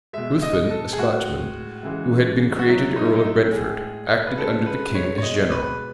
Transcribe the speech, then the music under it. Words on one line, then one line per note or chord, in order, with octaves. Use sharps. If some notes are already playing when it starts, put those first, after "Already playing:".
Ruthven, a Scotchman, who had been created earl of Brentford, acted under the king as general.
B2 G#3 E5
D#5
A4
G#4
A2 G#3 F#4
C#3 E3 G#3
F#4
B2 F#3 E4
D#4
E4
D#4
E4
A2 G#3 G#4
B4
C#3 G#3 A4
B4
C#5
C#5
B2 G#3 D#5
B4